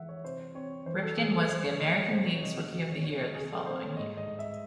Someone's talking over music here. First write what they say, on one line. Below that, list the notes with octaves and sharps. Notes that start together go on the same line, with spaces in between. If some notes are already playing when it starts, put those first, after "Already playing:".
Ripken was the American League's Rookie of the Year the following year.
Already playing: E3 G#3 E5 F#5
C#5
C3 C5
C4 C#5
E3 C5
A4
E3 G#4
A4
A3 C5
C#5
A3 D#5
C#5
C3 C5
C#5
C3 D#5
F#4
D#3
C#5
D#3 C#5
D#5
C3 G#4
A4
C4 C5
C#5
G#2 D#5
D#5
G#2
E5